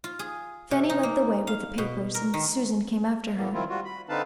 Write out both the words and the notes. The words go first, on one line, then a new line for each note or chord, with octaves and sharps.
Fanny led the way with the papers, and Susan came after her.
F4
G#4
C3
D#4
A#3
F5
B2
A#4
D#3
A2 E3 F#3 A#3 B3
D#3 F3 C4 E4 F4
G3 F4 F#4
B5
D3 C4 D#4 B4 F5 A5